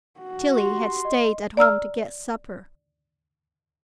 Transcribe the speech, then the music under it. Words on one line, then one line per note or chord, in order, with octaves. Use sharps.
Tillie had stayed at home to get supper.
F#4
G4 C6
D#5
D5 A#5 E6 F6